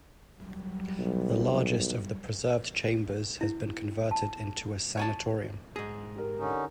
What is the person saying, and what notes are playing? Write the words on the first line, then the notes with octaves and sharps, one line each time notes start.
The largest of the preserved chambers has been converted into a sanatorium.
F#3 G3
B1
E4
A5
C#5 G#5 A5
G#2 G#4 A#6
G4 A#4
D3 C#4 D#4